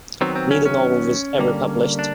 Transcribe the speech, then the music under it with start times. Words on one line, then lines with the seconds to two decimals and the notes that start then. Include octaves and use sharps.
Neither novel was ever published.
0.21 D#3 F#3 B3 C4
0.36 C4
0.51 C#4
0.66 C#4
1.39 D3 G3 A#3
1.99 D4